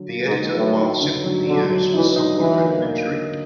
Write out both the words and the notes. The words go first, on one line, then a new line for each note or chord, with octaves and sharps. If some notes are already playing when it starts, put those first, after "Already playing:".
The editor, while simple to use, was somewhat rudimentary.
Already playing: D3 F#3
A#3
G#2
D#4
A2 F#3
D#4
D3
F#3
D3 F#3
F#3
E3 D#4
D#4
D3 E3
A#3
A#3
D3